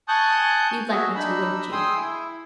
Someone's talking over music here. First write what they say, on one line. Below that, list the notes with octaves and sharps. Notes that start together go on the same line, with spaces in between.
You'd like me to, wouldn't you?'
G#5 A5 C#6 D#6 F#6 G6
F#4 G#4 E5
D4 D#4 B5 E6
G#4 G5 C6 D#6 E6
E4